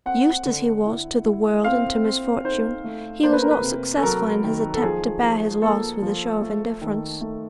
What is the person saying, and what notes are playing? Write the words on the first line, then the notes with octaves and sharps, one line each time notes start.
Used as he was to the world and to misfortune, he was not successful in his attempt to bear his loss with a show of indifference.
C4 F#5
D3
E4
E4
C4 F5
C4
D#4 C5
A3
A#3 C5
B4
A#4
B4
C3
A4
F#3 A#4
D#3
A4
F3 G#4
F3
A#3 A4
F3
A3
D#3
A3